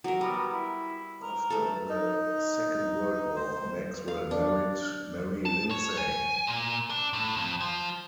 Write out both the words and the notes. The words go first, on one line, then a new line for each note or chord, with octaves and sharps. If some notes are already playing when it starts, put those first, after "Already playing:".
After the Second World War, Maxwell married Mary Lindsay.
F#3 A#4
G3 B3
E4
A#4
A3 A4
D#4
C5
F5
D4
A5
C#5
G#5
A#2
D4
A2
F2
F3